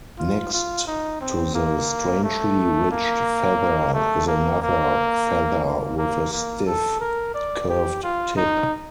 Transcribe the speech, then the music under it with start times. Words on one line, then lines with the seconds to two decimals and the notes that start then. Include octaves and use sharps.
Next to the strangely ridged feather is another feather with a stiff, curved tip.
0.18 F4
0.53 F4
0.87 D#4
1.21 C4
1.55 A#3
2.24 A3
2.91 A#3
3.93 A3
4.27 A#3
4.62 A#3
5.65 A#3
5.98 A#3
6.33 A#3
6.67 A4
7.00 A#4
7.34 D5
7.69 G4
8.03 F4
8.37 D#4